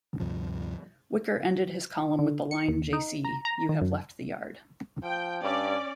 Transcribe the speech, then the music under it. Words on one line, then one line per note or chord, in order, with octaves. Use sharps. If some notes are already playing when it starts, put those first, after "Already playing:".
Whicker ended his column with the line Jaycee, you have left the yard.
D2 G2 C3 F3
D3
C#7
D#2
D#4
A#5
A#5
D#3
F#2
F3 G5
G2 C#4 D5